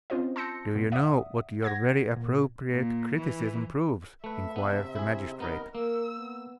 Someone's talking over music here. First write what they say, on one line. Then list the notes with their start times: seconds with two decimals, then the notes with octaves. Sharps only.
"Do you know what your very appropriate criticism proves?" inquired the magistrate.
0.10 C4 C#4 F4 C5 D#5
0.36 A5 C6 E6 G6 A#6 C#7
0.75 F2 B2
0.92 D5 E5 F#5 D#6
1.62 F#5 G#6 A#6
2.16 A#2
2.71 A#2
3.15 E3
4.24 A3 B4 E5
4.56 C3 B3 D4
4.96 E4 G#4
5.40 B3 D#4 A#4 B4
5.75 A#3 A#4 E6
6.18 B3